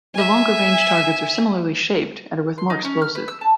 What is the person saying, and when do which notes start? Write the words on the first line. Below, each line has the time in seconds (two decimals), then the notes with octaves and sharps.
The longer range targets are similarly shaped and are with more explosive.
0.15 E5 G#5
2.58 C6
2.70 D#4
2.85 C#4
3.02 F6
3.15 B4
3.28 E6
3.41 A5